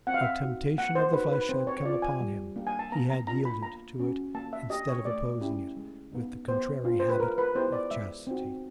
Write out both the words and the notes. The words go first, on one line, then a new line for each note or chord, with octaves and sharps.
A temptation of the flesh had come upon him; he had yielded to it instead of opposing it with the contrary habit of chastity.
C4 F#5
F5
E5
F5
D#4 F#4
A#3 F#5
C5
D#4 F#4 B4
B4
C4 C5
C#5
F4 D5
G#5
G3
A#3 D4 G4
G#5
A5
B3 A#5
A#5
D4 F4 A#5
B5
A#3 A#5
C#4 F#4
A#3 A5
E5
D4 G4 D#5
C#5
A3 D5
C#4 E4 G4
G#3
B3 D#4
B3 C5
D4 F4
C5
B4
G#3 A#4
B4
B3 E4 G4 C5
D5
G#3 E5
C4 D#4 F#4